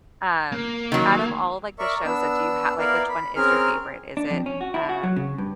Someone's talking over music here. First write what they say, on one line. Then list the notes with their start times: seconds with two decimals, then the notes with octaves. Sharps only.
Um, out of all, like, the shows, uh, do you ha like, which one is your favorite? Is it, um,
0.52 A#3
0.92 D#3 F#3
1.79 A#4 D5 E5 C#6
2.04 B3 D4 E6
2.78 B3 E4 A#4 D5 F5
3.09 B5
3.36 C4 C#4 G#4 A#4 F6
4.17 D4
4.31 F2
4.46 C#4
4.61 F#4
4.74 E4
4.89 F#4
5.03 F#3
5.16 C#3
5.38 G2